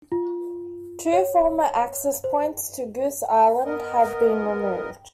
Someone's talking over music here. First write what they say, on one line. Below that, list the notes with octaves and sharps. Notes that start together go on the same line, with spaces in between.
Two former access points to Goose Island have been removed.
F4
C#5
C5
B3 A#4 D#5